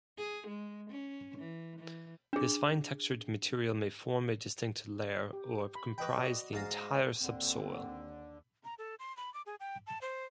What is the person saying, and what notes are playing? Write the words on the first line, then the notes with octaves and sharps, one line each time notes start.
This fine-textured material may form a distinct layer or comprise the entire subsoil.
G#4
G#3
C#4
E3
E3
D4 G#4
G4
B5
B4 D#5 G5 B5
F#4 D5 D#5
G#2 G#4 F5 A#5
D#2 D3 C4
A#5
A4
C6
B5
D6
G#4
G5
A5
C5